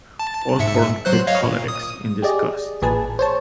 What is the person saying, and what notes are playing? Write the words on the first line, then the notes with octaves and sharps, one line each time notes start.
Osborne quit politics in disgust.
A5
G#2 E5 C#7
F#3 C5 F#6
C#5 D#5 F5
A#2
D#6
G4 G#4 D5 D#5
A1 A#2 G#4 B4 G#5 A5
C5 C#5 A5